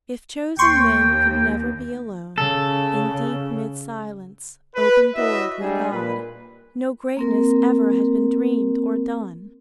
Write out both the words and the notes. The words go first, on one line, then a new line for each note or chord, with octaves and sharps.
If chosen men could never be alone, In deep mid-silence, open-doored with God No greatness ever had been dreamed or done.
D#2 G5 C6 C#6
C#3 A4
B4
E4 F#4 C#5 D#5 E5
G3 G#3 D4 D#4 G#4
A#2 B4
A#3 C4 A#4